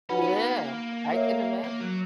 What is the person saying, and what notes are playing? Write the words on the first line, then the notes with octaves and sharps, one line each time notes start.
Yeah, I can imagine.
C#4 D#4 F#4 B4 F#5 B5
C#4
B3
A#3
A#4 C#5 E5
A#3
F#3